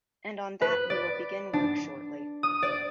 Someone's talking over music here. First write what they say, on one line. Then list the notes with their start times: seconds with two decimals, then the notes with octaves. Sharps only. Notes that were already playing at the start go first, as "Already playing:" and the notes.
And on that we will begin work shortly.
0.61 B4
0.90 D5
1.53 D4
2.43 D#6
2.63 D5